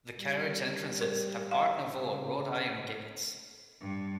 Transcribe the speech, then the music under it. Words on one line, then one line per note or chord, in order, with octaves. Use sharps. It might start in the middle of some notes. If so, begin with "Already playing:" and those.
The carriage entrances have Art Nouveau wrought-iron gates.
G3
A#4
F5
C#3
G2